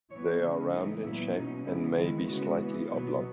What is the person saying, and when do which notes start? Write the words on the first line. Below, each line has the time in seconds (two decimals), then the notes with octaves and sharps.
They are round in shape and may be slightly oblong.
0.10 E3 B3 C#5
0.42 C#3 G#3 C#4
0.72 E3 G#3 B3 D#4
1.04 A#2 F#3 B3 E4
1.35 B2 F#3 C#4 D#4
1.66 C#3 G#3 B3 E4
1.96 D#3 G#3 B3 E4
2.28 C#3 G#3 B3 F#4
2.59 E3 B3
2.89 B2 F#3 B3